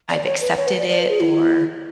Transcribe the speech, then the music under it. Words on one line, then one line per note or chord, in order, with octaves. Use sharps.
I've accepted it, or,
D5
C#5
B4
C#5
B4
D5
D5
B4
G#4
E4